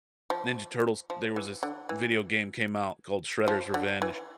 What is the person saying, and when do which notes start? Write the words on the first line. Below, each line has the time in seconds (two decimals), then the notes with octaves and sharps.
Ninja Turtles, there was this video game came out called Shredder's Revenge,
0.30 F3
1.10 F3
1.36 E3
1.63 D3
1.89 E3
3.48 F3
3.74 D3
4.02 E3